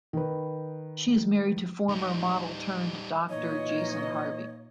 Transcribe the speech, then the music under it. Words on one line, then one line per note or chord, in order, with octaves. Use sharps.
She is married to former model-turned-doctor Jason Harvey.
D#3 B4
G3 D#4
A#2 E3 A#3 D#4 C#5 D#5